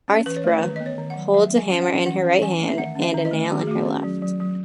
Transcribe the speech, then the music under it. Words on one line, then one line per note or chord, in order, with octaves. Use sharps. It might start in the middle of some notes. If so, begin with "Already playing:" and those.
Athrpa holds a hammer in her right hand and a nail in her left.
C#4
E3 B4
C#5
A3 B4
D#3 B4
B3 D#5
C#5
D#3
F#5
F#3
F#3 E5
F#3
G#5
C#4
F#5
C#4
E3 F#5
C#4
E3 G#5
A3
E5
D#3 F#5
C#4
E5
D#3
D#5
A3
D#3 F#4
G#4
A3 F#4
C#4
F#3
F#3
F#3